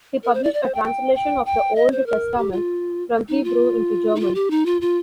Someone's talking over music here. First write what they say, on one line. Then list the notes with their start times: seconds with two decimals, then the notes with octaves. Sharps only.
He published a translation of the Old Testament from Hebrew into German.
0.24 A#4
0.34 C5
0.44 D5
0.54 D5
0.64 C5
0.75 G5
0.85 G5
1.15 G5
1.46 G5
1.76 D#5
1.92 C5
2.06 A#4
2.38 G4
2.52 F4
3.28 D#4
3.44 F4
4.15 D#4
4.20 F4
4.35 G4
4.51 D#4
4.66 F4
4.81 F4